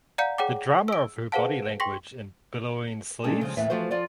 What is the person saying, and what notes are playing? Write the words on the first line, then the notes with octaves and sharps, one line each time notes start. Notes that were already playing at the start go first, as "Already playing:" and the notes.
The drama of her body language in billowing sleeves?
D5 F5 F#5 A#5 G6 C#7
G#4 C#5 F#5 G5 D6
E6 D7
G#4 B4 C5 F5 F#5 A5
G5 C6 C#6 A#6 B6
A#2 G#3 C#4 D4 A4 A5
C#3 F3 G#3
D#2 A2 E3 E5
E3 F3 A3 F#4 C5
F3 F4 D5